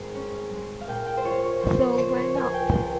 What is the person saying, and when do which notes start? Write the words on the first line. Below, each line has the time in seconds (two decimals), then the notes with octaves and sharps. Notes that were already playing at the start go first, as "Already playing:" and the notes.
So why not?
Already playing: G#1 G#3
0.15 C#4
0.51 G#3
0.81 F5
0.88 A#2 G5
1.06 G5
1.17 C5
1.24 F4 C#5
1.43 C#5
1.61 F3 C5
1.80 C#5
1.98 C#3 C5
2.17 C#5
2.34 C#2 G#5
2.54 G5
2.71 C#2 G5